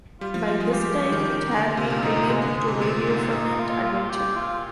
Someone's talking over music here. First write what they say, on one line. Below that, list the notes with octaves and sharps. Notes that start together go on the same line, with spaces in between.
By this time it had been renamed to Radio Fun and Adventure.
G3 F4
F3
G3 F4
G#3
G#3 G4
G3
D#3
D#3
D3
C3 F4
A#2
G#2 D#4
A#2
C3 G#3
D3 G#3
D3 G#3
C3 A#3
A#2 C4
G#2
A#2 D#4
F4
F4
F4
G4
F4